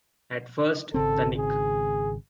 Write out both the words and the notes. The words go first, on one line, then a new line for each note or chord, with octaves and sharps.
At first, the Nick.
G#1 C#3 C4 A4
G#4